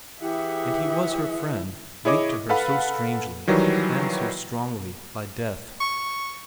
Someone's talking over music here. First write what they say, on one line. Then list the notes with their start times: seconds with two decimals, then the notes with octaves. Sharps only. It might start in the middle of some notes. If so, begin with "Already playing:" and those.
And he was her friend, linked to her so strangely and so strongly by death.
0.21 E3 E4 G4 G#4 E5 F#5
2.05 E4 G#4 C#5 D#5 D6
2.49 A4 B4 F5 F#5 B5
3.48 D#3 E3 F#3 G3
5.81 C#6